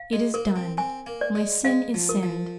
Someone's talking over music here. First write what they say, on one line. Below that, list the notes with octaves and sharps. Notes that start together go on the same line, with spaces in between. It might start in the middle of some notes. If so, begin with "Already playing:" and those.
It is done--my sin is sinned.
Already playing: F5
G#3
A#3 A#4
C4
C4 G#5
A#3
D5
G#3
G#3 F5
F3
A#4
F3